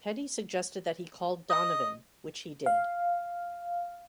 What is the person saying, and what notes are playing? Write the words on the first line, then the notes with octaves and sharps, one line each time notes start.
Petty suggested that he call Donovan, which he did.
D#5
F5